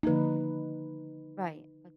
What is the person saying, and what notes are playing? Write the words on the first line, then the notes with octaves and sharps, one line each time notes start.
Right, like
D3 F3 A#3 D#4 B4